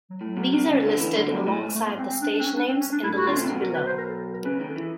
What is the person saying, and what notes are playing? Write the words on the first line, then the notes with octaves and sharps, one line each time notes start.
These are listed alongside the stage names in the list below.
F#3
A2 F#3
B1 B2
C2 C3
C#2 C#3
D2 D3
E2 E3
D2 D3 G3
B1 B2
G#3
A2
G#3
G#2 A3
A3
G#2
B3
G#2 C4
C4
D4
D4
C4
C#4
D4
C4
C#4
D4
A2 E4
F#4
D3 F4
C#3
C3
B1 B2
A#4
B4
C5
A#4
A4
A#4
C#2 C#3 B4
B4
D#2 D#3
A4
E3 G#4